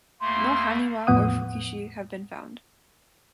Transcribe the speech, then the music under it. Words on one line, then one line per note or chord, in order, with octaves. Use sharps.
No "haniwa" or "fukiishi" have been found.
E2 A3 A#3 C6
E2 A2 F3 B3 F#5 D#6